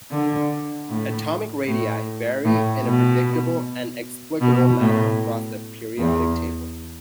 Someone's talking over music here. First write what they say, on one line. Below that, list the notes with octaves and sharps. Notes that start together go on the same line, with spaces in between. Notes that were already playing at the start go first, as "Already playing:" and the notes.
Atomic radii vary in a predictable and explicable manner across the periodic table.
D3
A2
A2
A2
B2
B2
A2
E2